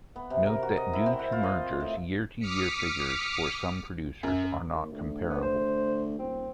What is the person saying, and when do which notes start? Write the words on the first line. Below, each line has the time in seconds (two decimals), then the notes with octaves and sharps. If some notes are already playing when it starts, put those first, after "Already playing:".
Note that due to mergers, year-to-year figures for some producers are not comparable.
0.16 B3
0.30 C3
0.46 A#4
0.63 F#4
0.77 D#5
0.93 E4
1.06 C4
1.19 F#5
1.32 F4
1.43 D#5
1.80 A2
2.39 D6 D#6 F6 B6 C#7
4.23 F#2
4.73 D#2
4.92 D2
5.29 B3
5.42 C5
6.19 D#1 C4